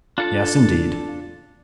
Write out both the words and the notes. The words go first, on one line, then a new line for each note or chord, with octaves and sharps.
Yes, indeed!
D4 F4 A4 A5